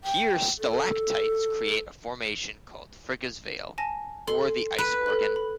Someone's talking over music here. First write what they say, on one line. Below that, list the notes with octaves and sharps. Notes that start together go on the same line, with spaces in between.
Here stalactites create a formation called Frigga's Veil, or the Ice Organ.
G5
A4
G#5 A5 A#6
A4 C6
B4
A4 B5 F#6
B5